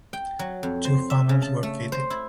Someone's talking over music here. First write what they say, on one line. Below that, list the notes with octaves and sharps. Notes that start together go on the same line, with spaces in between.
Two funnels were fitted.
G5
F#3
F2
C5
E5
C#3
A5
A3
C5
E4